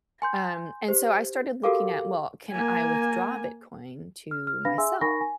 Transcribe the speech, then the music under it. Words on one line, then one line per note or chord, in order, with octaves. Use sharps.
Um, and so, I started looking at, well, can I withdraw Bitcoin to myself,
G#5 C6 G6
G4 C5
F#4 G4 A4 A#4 F5 D6
A#3 G#5
F6
F6
D4 B4 F5 B5 A#6
G#4 E5 G#5 C6 E6
D#4 A#4 G#5 B5 C#6 A#6
G#5